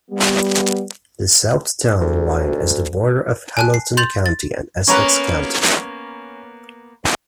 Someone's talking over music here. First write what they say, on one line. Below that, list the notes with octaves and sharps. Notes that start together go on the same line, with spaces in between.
The south town line is the border of Hamilton County and Essex County.
G3 B3
D2
G#5 A5 F#6
C7
C6 G6 A6 F7 F#7
A6
A#3 B3 C#4 B4 C#5 A#5